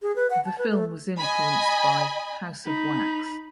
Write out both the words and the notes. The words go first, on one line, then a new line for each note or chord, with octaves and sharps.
The film was influenced by "House of Wax".
G#4
B4
F#5
A5
B4
A3
D#5 G#5 B5
D#4 B5